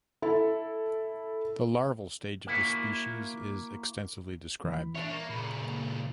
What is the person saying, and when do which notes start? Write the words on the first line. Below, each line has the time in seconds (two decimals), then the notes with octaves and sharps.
The larval stage of the species is extensively described.
0.22 E4 A4
2.47 A#3 E4 F#4
4.65 E3 B5
4.95 D4 C#5 E5
5.11 A#3
5.30 A#2 C#3 B5